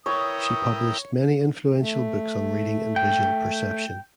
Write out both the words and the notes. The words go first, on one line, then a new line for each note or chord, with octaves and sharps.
She published many influential books on reading and visual perception.
E4 A#4 B4 C#5 G5 B5 D#6
A3
G5